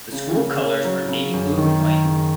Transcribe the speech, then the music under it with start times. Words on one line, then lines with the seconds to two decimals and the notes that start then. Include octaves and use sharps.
The school colors are navy blue and white.
0.12 C#3
0.36 C#3
0.61 C#4
0.84 F#3
1.09 C#3
1.33 F#2
1.58 D#3
1.81 D#3
2.05 F#1